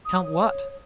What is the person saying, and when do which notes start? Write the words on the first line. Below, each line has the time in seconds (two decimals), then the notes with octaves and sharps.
"Count what?"
0.05 D#6
0.21 C#5
0.39 C#5